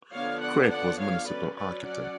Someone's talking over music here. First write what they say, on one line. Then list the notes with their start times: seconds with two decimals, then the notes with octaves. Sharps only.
Craik was Municipal Architect.
0.13 D3 F3 B3 D4 C#5 F5
0.41 D5 F#5
0.70 D5 F#5
0.99 C#5 F5
1.27 F#3 C#4 B4 D5
1.56 B4 D5
1.85 D5 F#5